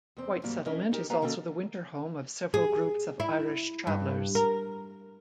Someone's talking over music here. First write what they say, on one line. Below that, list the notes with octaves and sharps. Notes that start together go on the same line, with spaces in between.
White Settlement is also the winter home of several groups of Irish Travellers.
E2 C4
G#2 E3 F#3 G3 A#3
C#4 D4 E4 A#4 D#5
D#4 G4 A#4
A#3 B3 G4 B4 F5 A#5
D#3 A#3 C#4 F#4 A4 D#5
G#4
E4
G2
A#4